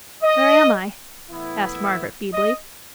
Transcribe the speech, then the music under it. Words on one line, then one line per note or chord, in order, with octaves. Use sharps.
"Where am I?" asked Margaret feebly.
D#5
A2 E3 B3 E4
E5
D#5